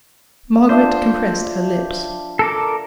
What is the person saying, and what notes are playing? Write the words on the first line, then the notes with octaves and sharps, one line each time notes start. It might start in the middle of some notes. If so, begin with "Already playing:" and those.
Margaret compressed her lips.
D4 F4 C5 E5
A4 A#4 D6